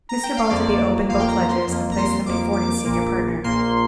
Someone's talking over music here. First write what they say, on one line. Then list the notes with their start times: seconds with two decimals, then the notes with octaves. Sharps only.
Mr. Balderby opened both ledgers, and placed them before his senior partner.
0.09 A#5
0.23 G5
0.37 F5
0.50 F2 F3 A#3 D5
1.09 F2 F3 A#3 F5
1.20 G5
1.28 A#5
1.49 C6
1.67 F2 F3 A#3
1.92 A#5
1.98 C6
2.26 F2 F3 A#3 D6
2.53 D6
2.85 A#1 A#2 A#3
3.44 A#1 A#2 A#3 C6